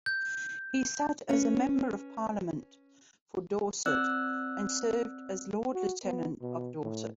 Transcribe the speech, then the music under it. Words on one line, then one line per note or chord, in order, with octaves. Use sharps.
He sat as Member of Parliament for Dorset and served as Lord-Lieutenant of Dorset.
G6
C#4 B4 C#5
C4 D5 E6 F#6
F#4
B3
B2
A2